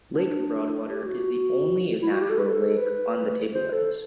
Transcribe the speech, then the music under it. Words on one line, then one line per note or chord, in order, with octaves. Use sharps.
Lake Broadwater is the only natural lake on the tablelands.
D4
G4
F#4
E4
F#4
G4
A4
B4
A4
B4
C5
A4